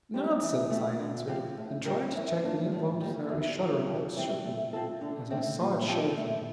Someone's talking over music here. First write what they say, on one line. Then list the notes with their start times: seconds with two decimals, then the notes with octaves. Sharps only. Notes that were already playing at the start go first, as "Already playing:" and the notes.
"Nonsense," I answered, and tried to check the involuntary shuddering that shook me, as I saw it shake him.
0.14 G3 C4 G4 C5
0.42 E3
0.70 A3 C4
0.99 D3
1.28 F3 C4 G4
1.57 A2
1.85 G3 C4 F4 A#4
2.15 E3
2.43 A#3 D4 F4
2.72 A2
3.00 G3 A#3
3.29 E2
3.58 D3
3.62 F3
3.86 F2
4.16 E3 G3 C4
4.45 A3
4.73 C4 F4 A4
5.01 D3
5.30 A3 C4
5.59 A#2
5.87 F3 C4 G4 D5
6.16 A3